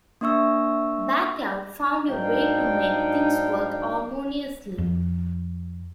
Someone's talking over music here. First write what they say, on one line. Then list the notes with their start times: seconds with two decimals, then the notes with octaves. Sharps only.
Baca found a way to make things work harmoniously.
0.21 A#3 D4 E5 C#6 E6
2.08 G#2 F#3 D4 D#4 F5 G5
4.78 F2